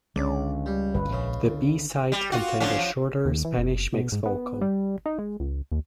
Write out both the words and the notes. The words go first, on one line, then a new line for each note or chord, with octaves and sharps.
The B-side contained a shorter Spanish Mix vocal.
C#2 D3 G#3 C#4 D5
G3
G1 B4
A#1 C#3
D3
G3
F4 F#4
D3 F3 C#4
F3
D#2
E3
F#1
B2
G#2
B3
G3
D#4
G#3
C#2
D#2